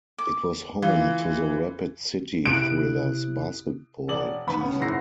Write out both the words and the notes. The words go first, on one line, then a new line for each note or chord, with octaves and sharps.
It was home to the Rapid City Thrillers basketball team.
D6
E3 F4
C3 E4 F#6 D7
E1 D5 F#7
D#3 B3 B5
B3 C#4
F#1 G#2 E4 F#5 A#6 C7